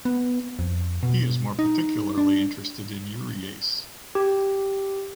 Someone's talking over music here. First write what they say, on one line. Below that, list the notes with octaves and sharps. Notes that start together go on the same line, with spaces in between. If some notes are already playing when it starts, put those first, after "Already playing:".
He is more particularly interested in urease.
B3
F2
B2
D#4
D4
G4